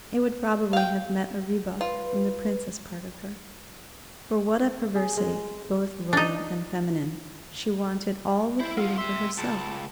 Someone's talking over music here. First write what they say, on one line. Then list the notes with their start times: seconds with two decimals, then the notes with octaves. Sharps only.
It would probably have met a rebuff from the princess part of her; for what a perversity, both royal and feminine, she wanted all the freedom for herself.
0.73 F5 G5
1.81 F4 B4
4.96 G#4
5.17 G#3
6.13 D4 D#4
8.60 E4 C5
8.77 F#3 F4 F5
8.98 G4 E5 C6
9.38 C#2 A5